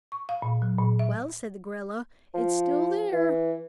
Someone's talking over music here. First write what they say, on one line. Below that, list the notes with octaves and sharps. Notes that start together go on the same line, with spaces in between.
"Well," said the gorilla, "it's still there!"
C#6
F5
A#2
F#3
A#2
E5
F3
E3